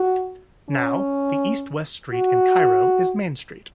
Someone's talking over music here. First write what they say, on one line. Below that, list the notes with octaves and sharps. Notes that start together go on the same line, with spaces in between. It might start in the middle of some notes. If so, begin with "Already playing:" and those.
Now, the east-west street in Cairo is Main Street.
Already playing: F#4
C#4
F#4